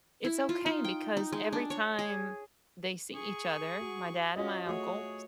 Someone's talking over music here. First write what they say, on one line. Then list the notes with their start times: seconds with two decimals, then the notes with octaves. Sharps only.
it's okay, because every time they see each other, my dad and my uncle, s
0.25 E4
0.49 F4
0.66 D#4
0.84 G5
1.17 D#4
1.32 G#3
1.53 D4
1.70 C#5
1.99 G#4
3.15 G#4 C#6
3.81 F#4
4.36 C#4 F4 F#4 D#5
4.66 A3 F#4 G#4 C#5